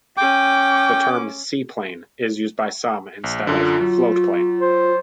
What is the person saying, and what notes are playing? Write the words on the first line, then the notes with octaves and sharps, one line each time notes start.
The term "seaplane" is used by some instead of "floatplane".
C#4 G5 D6
A#1
F#2 D3 F4
F#3
C5